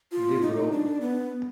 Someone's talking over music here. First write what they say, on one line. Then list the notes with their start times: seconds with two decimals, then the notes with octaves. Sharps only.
The Bro.
0.12 F4
0.42 D#4
0.72 D4
1.01 B3